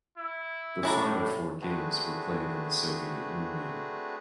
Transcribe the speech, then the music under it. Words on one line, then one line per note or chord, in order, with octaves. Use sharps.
The final four games were played in the Soviet Union.
E4
C2 A2 C#4 D4 E4 A#5
A3 C4 D4 F#4 G#4 B4